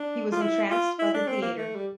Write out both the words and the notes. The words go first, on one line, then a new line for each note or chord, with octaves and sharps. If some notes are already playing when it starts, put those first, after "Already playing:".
He was entranced by the theatre.
Already playing: D4
F4
E4
F4
E4
D4
C4
A#3
A3
G3